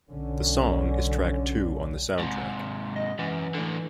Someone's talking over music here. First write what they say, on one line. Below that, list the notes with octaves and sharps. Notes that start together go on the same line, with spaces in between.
The song is track two on the soundtrack.
B1 D3 C#4
G#2 C3
D#5
F#2 E3
A2 D3